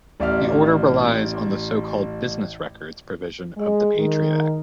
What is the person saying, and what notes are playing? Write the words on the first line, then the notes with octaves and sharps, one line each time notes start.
The order relies on the so-called "business records" provision of the Patriot Act.
A1 D5 E5 F6
G#3
D#3